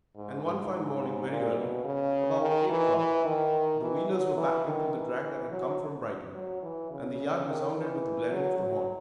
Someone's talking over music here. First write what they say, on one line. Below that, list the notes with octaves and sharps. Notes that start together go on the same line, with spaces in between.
And one fine morning, very early--about eight o'clock--the wheelers were backed into the drag that had come from Brighton, and the yard resounded with the blaring of the horn.
G#2
G#2
A#2
B2
C#3
D#3
E3
E3
D#3
E3
F#3
E3
D#3
E3
F#3
F#3
E3
C#3
D#3
E3
F#3
F#3